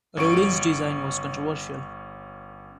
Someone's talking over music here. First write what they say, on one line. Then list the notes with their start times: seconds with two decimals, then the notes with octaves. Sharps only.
Rodin's design was controversial.
0.17 G1 C#4 C#6 D7